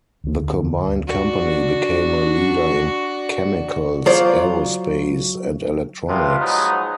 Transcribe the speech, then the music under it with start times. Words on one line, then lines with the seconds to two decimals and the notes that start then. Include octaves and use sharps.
The combined company became a leader in chemicals, aerospace, and electronics.
0.24 D2
1.07 D4 F#4
4.06 F#3 F4 C5 D5
6.08 C3 F3 G3 B3
6.39 F3 F#3 G#3 B3 D#4